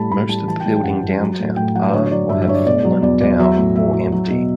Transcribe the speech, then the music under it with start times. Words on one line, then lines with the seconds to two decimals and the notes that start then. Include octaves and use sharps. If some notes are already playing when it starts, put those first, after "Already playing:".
Most of the building downtown are or have fallen down or empty.
Already playing: A2 G3 A5 B5
0.11 A2 B5
0.29 G3 A5
0.47 E3 A5
0.60 G5
0.65 G3 A5
0.76 G5
0.84 F#2 F#5
1.03 F#2
1.20 F#3
1.39 A2
1.56 A2 G5
1.75 F#3 F#5
1.88 B4
1.93 D3 C#5
2.11 F#3 D5
2.29 G2 E5
2.42 E5
2.48 G2 C#5
2.54 D5
2.66 B2 D5
2.85 F#3
3.02 E2 D5
3.21 E2 D5
3.39 F#3 E5
3.58 A2
3.76 A2 E5
3.94 F#3
4.12 F#3
4.30 B2